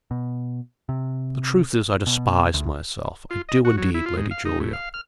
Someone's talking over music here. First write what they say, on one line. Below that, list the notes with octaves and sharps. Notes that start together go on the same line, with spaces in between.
The truth is, I despise myself;--I do indeed, Lady Julia.
B2
C3
B2
D2
F4
D#5
F#4
F#3
E4
F4
G#2
F5
D#4
A2
F5
F6